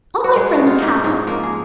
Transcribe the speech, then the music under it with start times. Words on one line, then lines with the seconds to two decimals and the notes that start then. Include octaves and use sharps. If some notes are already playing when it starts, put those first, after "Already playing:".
All my friends have.
0.24 F#4
0.36 G#3 G#4
0.51 F#4
0.60 C3
0.67 F4
0.81 G#2 D#4
1.04 G#2 C#4
1.27 F3 A#3
1.43 G#4